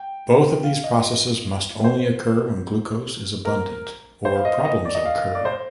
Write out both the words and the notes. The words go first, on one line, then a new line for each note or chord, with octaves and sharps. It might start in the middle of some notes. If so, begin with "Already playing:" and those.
Both of these processes must only occur when glucose is abundant, or problems occur.
Already playing: G5
F5
D#5
C5
A#4
C5
F5
D#5
D#5
D5
D#5
F5
D5
C5